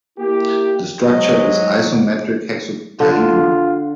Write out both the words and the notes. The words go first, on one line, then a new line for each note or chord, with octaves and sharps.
The structure is isometric-hexoctahedral.
A#3 E4 G4
G#2 F#3 D#5
D3 F4